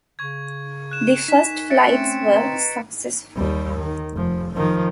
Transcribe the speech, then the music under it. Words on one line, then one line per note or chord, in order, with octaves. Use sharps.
The first flights were successful.
C#3 C#6 G#6
F#6 E7
D#4 G#5 B6 E7
E5 A6 C#7 D7
A3 C4 C#4
B4 D#5 A#5
D#2 G3
D#3
F1 F3
D#3 F3